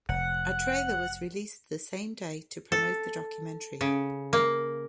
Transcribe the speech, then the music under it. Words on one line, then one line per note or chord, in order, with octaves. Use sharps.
A trailer was released the same day to promote the documentary.
F1 F#5
A4
C#3
A#3